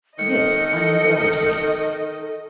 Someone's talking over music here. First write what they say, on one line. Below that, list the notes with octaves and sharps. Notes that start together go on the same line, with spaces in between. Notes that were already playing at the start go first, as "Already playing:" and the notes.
This annoyed me.
D#3 A4 D#5 C#7